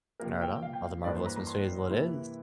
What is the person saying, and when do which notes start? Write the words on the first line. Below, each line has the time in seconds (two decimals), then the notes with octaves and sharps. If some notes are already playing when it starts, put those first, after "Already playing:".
Right on. Oh, the Marvelous Miss Maisel it is.
0.20 C3 F3 A#3 A#4
0.41 G5
0.62 F5
0.73 G5
0.84 F5
1.04 G2 E3 G3 A#3 D5
1.16 C5
1.26 A#5
1.36 A#5
1.47 C6
1.89 C3 E3 A#3 E4